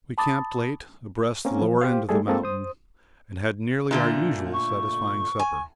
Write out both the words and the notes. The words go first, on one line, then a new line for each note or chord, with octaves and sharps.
We camped late, abreast the lower end of the mountain, and had nearly our usual satisfying supper.
A5 B5 D6 D#6 A6
A#3 C4 C#4 A#4
F3
G4 C5 F5
G3 A3 G#4 A4
G#3 A#3 C4 F4 A4
C5 D#6
A#2 D3 A3
C#6
G#5